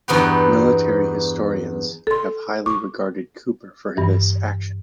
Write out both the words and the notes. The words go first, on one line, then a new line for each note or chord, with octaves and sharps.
Military historians have highly regarded Cooper for this action.
E2 G2 B3 D#4 F#4 G4
A4 C6
C#6 D6
G2 E3